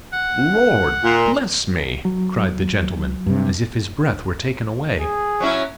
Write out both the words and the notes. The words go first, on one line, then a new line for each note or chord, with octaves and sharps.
"Lord bless me!" cried the gentleman, as if his breath were taken away.
F#5
A#2
F#3
G2 C3
G#4
F#3 C#4 E4